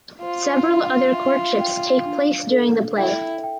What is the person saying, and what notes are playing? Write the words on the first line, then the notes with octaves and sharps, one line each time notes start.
Several other courtships take place during the play.
F4 C5
D4
E5
G5
D4
A4
E4 G5
G5